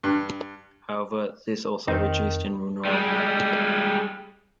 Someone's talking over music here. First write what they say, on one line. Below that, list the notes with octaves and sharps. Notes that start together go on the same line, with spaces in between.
However, this also reduced enrollment.
G2
F2 D#3 C4 D#4
G3 G#3